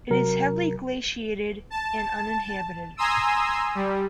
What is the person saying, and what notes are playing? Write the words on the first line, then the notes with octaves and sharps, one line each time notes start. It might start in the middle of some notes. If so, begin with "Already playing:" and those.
It is heavily glaciated and uninhabited.
C3 F#3 A#4
A5
G#5 A#5 C6 D#6 E6
G3